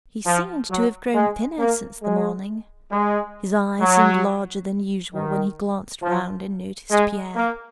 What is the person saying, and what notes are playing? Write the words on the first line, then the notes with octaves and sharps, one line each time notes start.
He seemed to have grown thinner since the morning; his eyes seemed larger than usual when he glanced round and noticed Pierre.
F3
F#3
G#3
A#3
G#3
G#3
F#3
D#3
F3
G#3
A#3